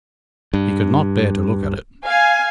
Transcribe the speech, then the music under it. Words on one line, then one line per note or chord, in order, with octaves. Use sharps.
He could not bear to look at it.
G2
F5 G#5